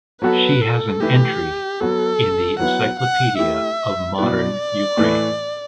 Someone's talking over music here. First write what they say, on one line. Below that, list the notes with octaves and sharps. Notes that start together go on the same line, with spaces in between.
She has an entry in the Encyclopedia of Modern Ukraine.
F#3 B3 F#4 A4 B4
A4
E3 A3 E4 G4 B4
F#3 B3 F#4 A4 B4
F#3 B3 E4 B4 F#5
F#5
A3 E4 G4 E5
B2 F#3 B3 E4 B4 D5
A2 E3 A3 E4 B4